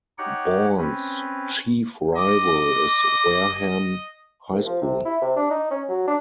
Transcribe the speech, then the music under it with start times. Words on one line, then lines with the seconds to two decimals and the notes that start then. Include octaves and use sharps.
Bourne's chief rival is Wareham High School.
0.18 D#4 G4 C#5 F#5
0.78 C4 C#4 B4
2.16 D#5 D6
4.51 C2
4.65 F3
4.81 C3
5.05 E4
5.22 C3
5.36 D4
5.51 D#4
5.71 C#4
5.89 F#3
6.07 D4